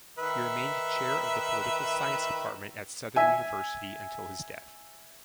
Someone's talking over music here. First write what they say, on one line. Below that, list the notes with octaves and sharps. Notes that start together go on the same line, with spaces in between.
He remained chair of the political science department at Southern University until his death.
D#3 B4 E5
E5 G#5